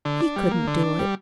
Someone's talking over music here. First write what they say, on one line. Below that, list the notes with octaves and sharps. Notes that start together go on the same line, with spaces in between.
He couldn't do it.
D3
D4
G3
A#3
D3
D4
G3